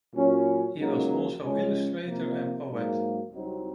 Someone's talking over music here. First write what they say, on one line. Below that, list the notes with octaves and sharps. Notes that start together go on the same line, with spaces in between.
He was also illustrator and poet.
A#2 F#3 C#4
C#2 C#3 F#3 A#3 D#4
C#2 C#3 G#3 C#4
C3 F3 A#3
G#2 F#3 A#3
C2 C3 F#3 C4 D#4